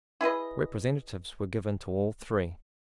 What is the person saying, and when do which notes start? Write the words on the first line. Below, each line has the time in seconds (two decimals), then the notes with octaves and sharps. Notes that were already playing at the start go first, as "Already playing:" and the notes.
Representatives were given to all three.
0.21 E4 G#4 B4 D#5